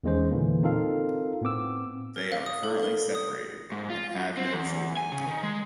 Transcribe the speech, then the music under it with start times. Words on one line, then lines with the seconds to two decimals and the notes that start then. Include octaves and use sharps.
They are currently separated, and have no children.
0.04 E2 D#3 G#3 C#4 C5
0.31 A#2 D3 E3 A#3
0.63 C4 D#4 F4 A4 A#4 F5
1.42 A2 B3 C4 D6 E6
2.16 A#4
2.32 F5
2.46 D#6
2.63 A4
2.83 A#4
3.15 D#6
3.72 G#2
3.90 F4
4.16 F#2
4.37 C4
4.53 E2
4.97 G#5
5.12 C#3
5.27 D#3
5.43 G#3